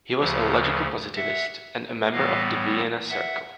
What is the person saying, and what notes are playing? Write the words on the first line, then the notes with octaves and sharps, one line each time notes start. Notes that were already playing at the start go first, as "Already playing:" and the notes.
He was a logical-positivist, and a member of the Vienna Circle.
D2 C#3 F3
E5 F#5
A2 E3 G3 B3 D#5 F5
E5 F#5